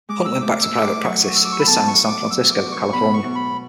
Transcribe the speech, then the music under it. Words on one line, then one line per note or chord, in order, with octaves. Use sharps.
Hunt went back to private practice, this time in San Francisco, California.
G#3 D6
E6
A3 D6
E6
A3
D6
F#3 C#6
A4 E6
D6
C#6
B5
B3 A5
C#6
E4
D6
F#3 E6
D6
F#4
C#6
B2 B5
C#6
B2
B5